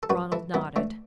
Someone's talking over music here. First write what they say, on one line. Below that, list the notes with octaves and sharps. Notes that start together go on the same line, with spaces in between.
Ronald nodded.
A4
F#2 F#4 B4
E3 E4 A4
F#2 B3 E4
E3 A3 D4